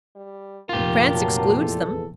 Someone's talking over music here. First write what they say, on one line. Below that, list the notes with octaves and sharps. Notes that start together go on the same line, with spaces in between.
France excludes them.
G3
F1 A#2 F4 G4 A#4
F3 F#3 A5
E2 A4